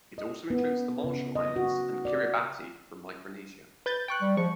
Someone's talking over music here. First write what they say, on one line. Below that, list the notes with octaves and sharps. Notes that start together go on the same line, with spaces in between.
It also includes the Marshall Islands and Kiribati from Micronesia.
D#5
B3
C#3
D#5
F#4
D5
B4 G6 A6
G5 C#6 F#6
G3
F3 G#3 C#6